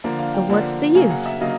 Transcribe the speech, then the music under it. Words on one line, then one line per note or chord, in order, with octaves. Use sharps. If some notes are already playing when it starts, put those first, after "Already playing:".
So what's the use?
D3 F3 A#3 D4 D5
F5
G5
D3 F3 A#3 D4
C#3 F#3 A#3 G#5
F#5
E5
C#3 F#3 A#3 D#5